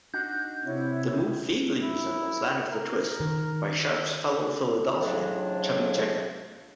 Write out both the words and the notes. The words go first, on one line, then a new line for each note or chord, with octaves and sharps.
The move vaguely resembles that of the twist, by Sharp's fellow Philadelphian Chubby Checker.
D4 D#4 F#4 G6
C3 E4 C#5
E4
A#4
D#3
F2 A2 C#3 F3 F#3 D4